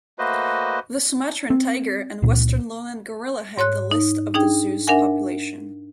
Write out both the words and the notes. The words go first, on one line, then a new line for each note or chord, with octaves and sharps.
The Sumatran tiger, and western lowland gorilla head the list of the zoo's population.
A3 A#3 F#4 B4 C5 D#5
C4
C#2 A#2
G#2 C#5 C6 F#6
D#4
D4 D#4 G#4 G5
D4 A#4 E5 F#5 G#5